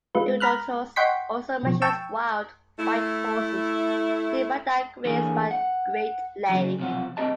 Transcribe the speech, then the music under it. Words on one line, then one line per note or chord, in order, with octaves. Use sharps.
Herodotus also mentions wild white horses nearby that grazed by a great lake.
G#3 F4 B4
A#5 B5 F6 F#6
D#5 F#5 G5 C6 C#6 B6
B2 F3
G5 A5 C#6 E6
A3 E4
D3 E3 A#3 G#4
F#5
C#3 F3 F#3
B1 C3 F3 A3 F4 F#5
C2 D#3 C4 G4 D#5 A5